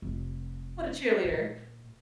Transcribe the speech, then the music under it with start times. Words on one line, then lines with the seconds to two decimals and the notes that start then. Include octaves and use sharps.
What a cheerleader.
0.02 F1
1.24 A#2